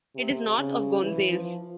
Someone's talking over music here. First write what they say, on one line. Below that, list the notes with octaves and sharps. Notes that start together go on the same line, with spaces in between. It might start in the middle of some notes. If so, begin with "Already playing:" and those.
It is north of Gonzales.
C3
C#3
E3
F3